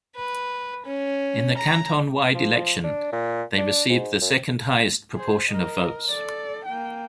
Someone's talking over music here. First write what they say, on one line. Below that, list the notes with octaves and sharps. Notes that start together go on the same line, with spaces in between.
In the canton-wide election they received the second highest proportion of votes.
B4
C#4
A#5
F3
D4
A#2
D4
G#2
F#2
G#4 C5
A#4 D#5
A4 D5
A#3 G5